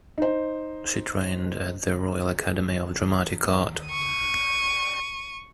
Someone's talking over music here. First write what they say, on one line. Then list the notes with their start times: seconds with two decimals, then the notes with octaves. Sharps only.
She trained at the Royal Academy of Dramatic Art.
0.18 D#4 C5
3.87 C#6 D#7